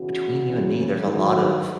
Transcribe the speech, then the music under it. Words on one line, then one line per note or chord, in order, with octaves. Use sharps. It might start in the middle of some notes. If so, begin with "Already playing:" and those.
between you and me, there's a lot of
Already playing: E2 C#3 E3 F#4
E2 C#3 E3
G#2 D#3 F#3